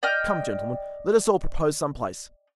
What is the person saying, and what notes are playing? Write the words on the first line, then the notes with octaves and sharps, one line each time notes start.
Come, gentlemen, let us all propose some place.
D5 D#5 G5 F6